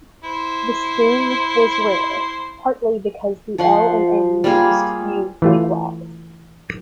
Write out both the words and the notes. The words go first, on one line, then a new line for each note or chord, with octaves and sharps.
This scheme was rare, partly because the L and N used few wigwags.
E4 C5
F3 F#5 C6
G3 A#3 F4 G#4
E3 A3 F4